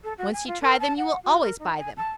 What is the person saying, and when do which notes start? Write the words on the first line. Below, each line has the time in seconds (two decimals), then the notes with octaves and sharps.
Once you try them, you will always buy them.
0.03 A4
0.18 F#4
0.33 G#5
0.47 F4
0.62 A#4
0.80 A5
0.97 F#5
1.23 F#4
1.41 A#4
1.59 D#4
1.78 G#5
1.97 A5